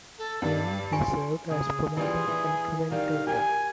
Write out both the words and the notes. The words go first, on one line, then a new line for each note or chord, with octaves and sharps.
There he served as promoter and commentator.
A4
G2 D5
F4 G#5 C6 C#6
C#3 G#4
E3 G3 F4 G#4
E3
D#3 G3 F5
G4 A#4 G#5